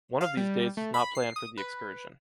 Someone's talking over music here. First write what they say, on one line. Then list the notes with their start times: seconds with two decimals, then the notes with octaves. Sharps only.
One of these days is not planned for the excursion.
0.21 F5
0.37 G3
0.77 A3
0.94 B5
1.15 C7
1.36 D#6
1.57 B4